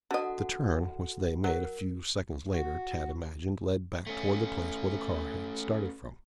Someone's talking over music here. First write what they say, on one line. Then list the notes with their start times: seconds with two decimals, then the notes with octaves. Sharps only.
The turn which they made a few seconds later, Tad imagined, led back toward the place where the car had started from.
0.11 D3 F#4 A4 D#5 F#5
1.44 F#3 A#4
2.50 F#4
4.07 A3 C#4